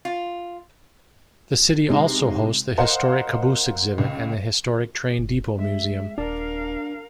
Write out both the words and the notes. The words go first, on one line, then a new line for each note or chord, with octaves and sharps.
The city also hosts the Historic Caboose exhibit and the Historic Train Depot museum.
F4
C3 G#3 D#4
A#4 C5 D#5 F5 F#5
C#2
F#1
G#3 E5
D#1 D4 A#4 F5